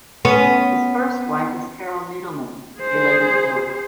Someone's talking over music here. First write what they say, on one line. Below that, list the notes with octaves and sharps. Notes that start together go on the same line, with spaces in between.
His first wife was Carol Needelman; they later divorced.
B3 C#4
G#4 C5